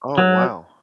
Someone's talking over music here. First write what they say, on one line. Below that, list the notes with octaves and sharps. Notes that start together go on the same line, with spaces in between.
Oh, wow.
F#3